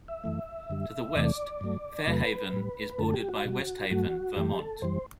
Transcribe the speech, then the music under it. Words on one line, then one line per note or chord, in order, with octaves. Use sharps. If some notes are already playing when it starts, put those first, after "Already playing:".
To the west, Fair Haven is bordered by West Haven, Vermont.
E5
F#2 E3 A3
F#2 D3 G3
E2 C3 E3 A3 D5
G2 F#3 A3
E2 C3 F#3 A3 B4
A2 G3
F#2 D3 A3 A4
G4
F#4
B2 G3
G2 F#3 A3 F#4
F#2 E3 A3 G4
A4
F#2 E3 G3 C5